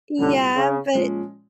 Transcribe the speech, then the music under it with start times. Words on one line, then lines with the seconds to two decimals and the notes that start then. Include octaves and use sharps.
yeah, but
0.19 C2 A#2 D3 G3
0.56 C#3
0.93 A#2 F3 G#3 C#4